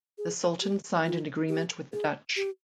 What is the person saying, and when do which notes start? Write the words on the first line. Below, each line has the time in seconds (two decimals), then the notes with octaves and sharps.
The Sultan signed an agreement with the Dutch.
0.18 G#4
0.62 G4
1.05 F4
1.49 G4
1.93 G#4
2.36 G4